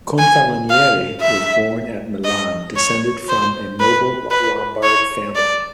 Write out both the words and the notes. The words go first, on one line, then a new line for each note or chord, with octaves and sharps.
Confalonieri was born at Milan, descended from a noble Lombard family.
G#5
F5
E5
D#5
C#5
C5
B4
B4
C#5
D5